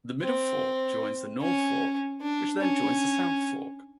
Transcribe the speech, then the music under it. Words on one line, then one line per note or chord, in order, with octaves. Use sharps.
The Middle Fork joins the North Fork, which then joins the South Fork.
C4
C#4
D4
C#4